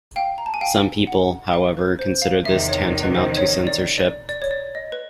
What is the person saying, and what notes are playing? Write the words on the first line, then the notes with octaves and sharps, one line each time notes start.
Some people, however, consider this tantamount to censorship.
F5 G5
A#5
A5
G#5
F5 G5
F#5
F5
B4
C5
F5
E2 C3 D#3 E5
C#5
B4
C5
C#5
D5
D5
D5
C#5
D5
D#5
B4